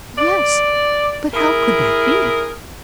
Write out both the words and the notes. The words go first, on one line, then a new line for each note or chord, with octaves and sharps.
"Yes, but how could that be?"
D5
E4 G#4 A#4